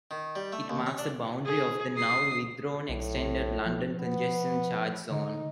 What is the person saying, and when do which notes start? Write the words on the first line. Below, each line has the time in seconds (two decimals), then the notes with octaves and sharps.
It marks the boundary of the, now withdrawn, extended London Congestion Charge Zone.
0.11 D#3
0.36 G3
0.53 A3
0.70 D#2
0.86 C#4
0.98 D4
1.46 G#4
1.96 D#6 C7
2.89 B1 A2
3.65 F3
4.00 B3
5.10 D3 D#4